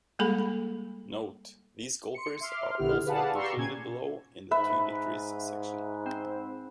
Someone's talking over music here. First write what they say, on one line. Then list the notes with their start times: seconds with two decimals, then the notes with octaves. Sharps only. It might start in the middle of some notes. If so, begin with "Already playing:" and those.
Note: These golfers are also included below in the "Two victories" section.
0.19 G3 G#3 A#3 G#4 A4 B5
2.14 C6 C#7
2.41 E5 C6 D6 F6
2.77 A#1 D3 B3 E4 G4 F6
3.05 G#4 B4 D5 F5 F#5 A5
3.34 G4 D5 A#5 C6 C#6 E6
3.56 A#2 C#3 G#5 G#6
4.51 G#2 B4 E5
6.06 C4